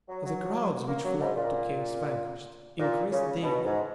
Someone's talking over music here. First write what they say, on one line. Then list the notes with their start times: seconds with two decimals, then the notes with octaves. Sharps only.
The crowds which flocked to "Chaos Vanquished" increased daily.
0.08 F#3
0.25 F#3
0.88 A#3
1.04 F#3
1.20 G#2
1.36 A#2
2.79 A#2
3.11 C#3
3.43 B2
3.64 G#2